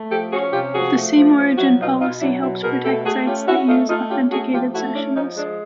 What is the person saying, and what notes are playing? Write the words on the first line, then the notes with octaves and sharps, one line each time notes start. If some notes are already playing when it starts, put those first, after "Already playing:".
The same-origin policy helps protect sites that use authenticated sessions.
Already playing: A3
F3 G4 A4
C#4 F#4 G#4
C3 F4 G4
F3 F#4 G#4
A3
F3
F3
F#3 E4 F#4
B2 D#4 F4
B2 D#4 F4
F#3 D4 E4
B2 D4 E4
B2 G#4 A#4
A3 G4 A4
A3 F#4 G#4
C#4 F4 G4
C#4 E4 F#4
A3 D#4 F4
A3 D#4 F4
C#4 F4 G4
A3 F#4 G#4
F3 F4 G4
A3 E4 F#4
C#4 D4 E4
F3 C#4 D#4
G#3 D4